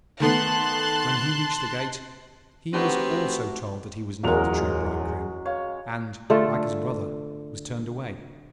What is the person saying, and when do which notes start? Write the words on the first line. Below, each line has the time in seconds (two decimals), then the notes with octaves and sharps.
But when he reached the gate he was also told that he was not the true bridegroom, and, like his brother, was turned away.
0.20 D#3 A3 B3 A5 C6 F#6
2.73 A3 B3 C4 D4 D#4 F#4 G4 A#4
4.23 D1 E2 F#3 G#3 C#4 F4 A#4 F7
5.46 C#5 F5
6.30 D3 A3 F4 A4